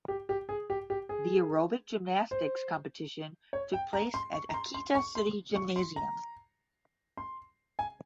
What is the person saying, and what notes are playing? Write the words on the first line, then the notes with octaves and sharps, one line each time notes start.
The aerobic gymnastics competition took place at Akita City Gymnasium.
G4
G4
G#4
G4
G4
G#4
C5
C#5
G5
A#5
C6
C#6
A#5
C6
C6
C#6
C6
C#6
C6
A#5
C6
G#5